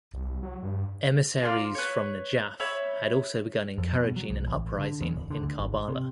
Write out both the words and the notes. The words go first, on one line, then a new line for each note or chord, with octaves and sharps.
Emissaries from Najaf had also begun encouraging an uprising in Karbala.
C2
F#3
G2
F4 D5 A#5 C6
B4 C#5
C#5 E5 B5 E6
F2
B2
F#3
C2
A1
D3
E2
D1
D3
D2
G#1
C3